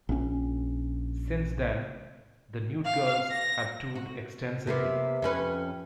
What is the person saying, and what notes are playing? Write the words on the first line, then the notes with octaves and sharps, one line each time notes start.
Since then, the Nude girls have toured extensively.
A#1 C#4
F5
A#6
F#4
C3 A#3 B3
F2 C#4 B4